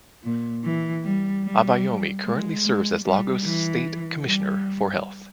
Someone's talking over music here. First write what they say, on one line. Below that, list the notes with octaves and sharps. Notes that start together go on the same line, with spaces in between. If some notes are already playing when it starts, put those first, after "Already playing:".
Abayomi currently serves as Lagos State commissioner for health.
A#2
E3
G3
G3
G#3
G#3
G3
E3
G3